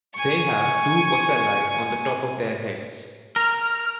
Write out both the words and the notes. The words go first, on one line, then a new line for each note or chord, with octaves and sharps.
They have two ocelli on the top of their heads.
G#5 C#6
A#4 F6